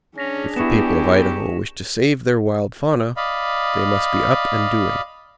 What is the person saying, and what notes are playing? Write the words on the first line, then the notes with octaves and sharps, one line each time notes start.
If the people of Idaho wish to save their wild fauna, they must be up and doing.
C#4 D4 G#4 A#6 B6 F7
B3 E4 G4 C#6 C#7 E7
D5 D#5 F5 B5